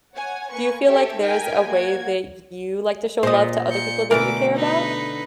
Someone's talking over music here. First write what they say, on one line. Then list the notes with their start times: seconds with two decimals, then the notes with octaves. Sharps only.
Do you feel like there's a way that y you like to show love to other people that you care about?
0.14 C#5 F#5 G#5
0.51 A#3 B4 G#5 C#6
0.83 G4 A4 C#5 E5
1.20 D#4 A#4 G5 G#5 F6 B6
1.66 A#3 F#4 G#6
3.23 A#2 C5 D#5
3.67 G6 C#7
4.11 B2 D3 E3 A3 A#4 D6
4.55 D#4 B4